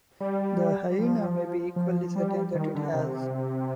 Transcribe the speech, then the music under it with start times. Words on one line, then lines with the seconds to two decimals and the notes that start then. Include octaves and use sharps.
The hyaena may be equally certain that it has.
0.20 G3
0.98 F3
1.76 F3
2.16 G3
2.54 D#3
2.75 D3
2.94 C3